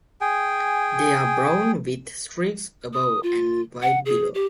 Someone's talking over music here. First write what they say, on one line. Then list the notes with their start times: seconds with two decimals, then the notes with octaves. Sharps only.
They are brown with streaks above and white below.
0.21 G#4 G5 G#5
2.93 D#6
3.23 F4
3.82 F#5
4.06 G#4
4.34 G4